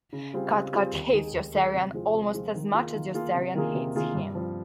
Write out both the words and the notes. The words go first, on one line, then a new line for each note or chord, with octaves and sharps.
Cathcart hates Yossarian almost as much as Yossarian hates him.
C#3
G3 C4 F4 G#4
C#3
G3 C4 F4 G#4
D#2
D#3 G#3 D#4 G#4
D#2
D#3 G#3 D#4 G#4
C3
F3 G#3 C4 F4
C3
F3 G#3 C4 F4
D#3
A#3 F4 G#4
D#3
A#3 F4 G#4
C3
D#3 A#3 F4 G#4
C3
D#3 A#3 F4 G#4
G2
F3 C4